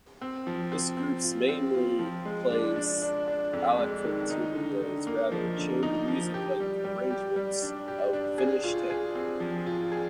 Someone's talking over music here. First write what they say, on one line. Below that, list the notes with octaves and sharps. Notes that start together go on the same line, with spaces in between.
This groups mainly plays Alakotila's rather chamber-music-like arrangements of Finnish tango.
C4
F3
C4
C4
F4
C4
F4
F3
G#3
D4
D4
D4
D4
F2
G#3
D#3
D#4
D3
D3
A#3
F3
D3
D#4
F3
G4
G3
G3
G4
G3
D4
G4
D4
G#4
F4
G#4
C4
F3
F4
G#4